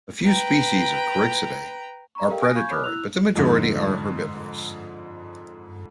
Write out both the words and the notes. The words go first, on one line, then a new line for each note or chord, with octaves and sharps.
A few species of Corixidae are predatory, but the majority are herbivorous.
B4 G5 A#5
D5 A#5 B5 C#6
G4 A4 A#4 D#5 F5 G5
G#5 D#6 F#6 A#6 D7
F5 G#5 B5 C#6 G6 G#6
C#5 B5 D6 D#6 F6 F#6
E4 E6 F#6 F7
F2 G#2 D3